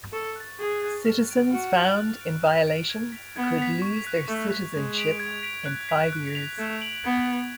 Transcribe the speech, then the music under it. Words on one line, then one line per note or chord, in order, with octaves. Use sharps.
Citizens found in violation could lose their citizenship in five years.
A4 C#6
F#6 A6
G#4 C#6
F#6 A6
F6
A6 D7 F7
F#4 F6
A6 D7 F7
F#6
A6 D7 F7
F#6
A6 D7 F7
G#6
B6 F7
B3 G#6
B6 F7
C#6
F#6 B6
A3 C#6
F#6 B6
G#3 G#6
B6 D7 F7
G#6
B6 D7 F7
F#6
B6 F7
F#6
B6 F7
A3 G#6
D7 F#7
B3 G#6
D7 F#7